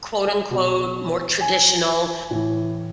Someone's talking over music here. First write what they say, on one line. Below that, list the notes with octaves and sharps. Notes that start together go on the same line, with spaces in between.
quote, unquote, more traditional,
B2
G#5
A2 E3